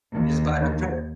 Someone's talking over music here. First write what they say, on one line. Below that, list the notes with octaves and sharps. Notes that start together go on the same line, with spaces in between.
You just buy it on credit,
D#2